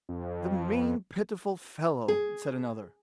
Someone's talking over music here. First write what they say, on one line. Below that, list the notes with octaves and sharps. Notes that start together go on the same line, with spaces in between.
"The mean, pitiful fellow!" said another.
F2
G#4